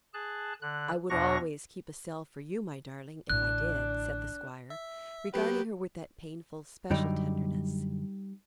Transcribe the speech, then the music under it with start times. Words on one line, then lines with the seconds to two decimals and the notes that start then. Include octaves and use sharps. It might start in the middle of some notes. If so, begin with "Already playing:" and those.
"I would always keep a cell for you, my darling, if I did," said the squire, regarding her with that painful, special tenderness.
0.14 G#4 A5 F#6
0.62 D3 F#6
1.10 E2 B2 D4 A#5 C#6 A#6
3.30 A1 D3 D4 F#6
4.70 E5
5.34 F#3 B3 G4 B4
6.91 F#2 D3 F#3 G3 D#4 D5